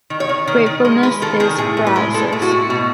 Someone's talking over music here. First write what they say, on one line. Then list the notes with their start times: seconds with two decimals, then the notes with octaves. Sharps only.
Gratefulness is paralysis.
0.10 D#3
0.20 C#5
0.29 D#3
0.48 D#3
0.66 D#3
0.85 G#3
1.03 G#3 B4
1.22 D#3 A4
1.40 D#3 G#4
1.58 A2 G#4
1.77 A2
1.87 B4
1.96 G#3
2.14 G#3 A4
2.32 A2
2.42 F#4
2.51 A2
2.70 B2